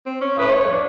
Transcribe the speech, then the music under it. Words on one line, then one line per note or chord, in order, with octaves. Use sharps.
Oh, okay.
C4
C#4
B4
C#5
D4